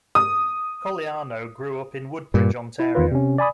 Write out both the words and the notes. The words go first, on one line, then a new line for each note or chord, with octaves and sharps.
Cogliano grew up in Woodbridge, Ontario.
D#6
G2 A#2
E4
E2 D#3 F4 B4
C3 C#4
D5 G#5 B5 D#6